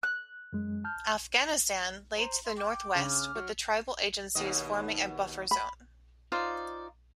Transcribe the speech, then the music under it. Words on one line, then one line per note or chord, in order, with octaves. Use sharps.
Afghanistan lay to the northwest, with the tribal agencies forming a buffer zone.
F#6
F#2 G#3
A5 F6 G6
C5 A#5
E5 C6
G5 D6
C#3 C#4
F6
F#3
D#2 B2 D#5
B5
D#4 F4 C5 D5